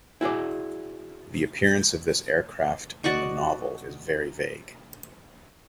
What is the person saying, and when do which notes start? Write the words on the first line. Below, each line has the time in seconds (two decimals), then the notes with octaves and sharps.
The appearance of this aircraft in the novel is very vague.
0.21 E4 F#4 G#4 D5
3.04 F#4 D5 D#5 C#6